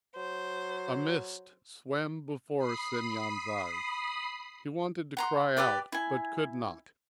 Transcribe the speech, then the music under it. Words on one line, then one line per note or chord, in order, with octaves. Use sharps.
A mist swam before Semyon's eyes; he wanted to cry out, but could not.
F#3 C5
B5 D#6 C7
F#5 A#5 C6
G4 B4 D5 G5
E4 G#5